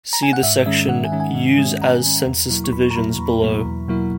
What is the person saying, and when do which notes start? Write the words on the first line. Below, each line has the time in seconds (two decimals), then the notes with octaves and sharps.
See the section "Use as census divisions" below.
0.13 A#5
0.23 G#5
0.33 F#5
0.43 G#2 E5
0.66 D#3 G#3 C#4 E5
0.89 G#2 F#5
1.05 G#5
1.12 D#3 G#3 C#4
1.20 G#5
1.35 G#2
1.58 D#3 G#3 C#4
1.81 G#2 A#5
2.04 D#3 G#3 C#4
2.27 E2
2.50 B2 F#3 A#3 E4
2.64 C#6
2.73 E2 B5
2.91 A#5
2.96 B2 F#3 A#3 E4 B5
3.19 E2
3.42 B2 F#3 A#3 E4
3.65 E2
3.88 B2 F#3 A#3 E4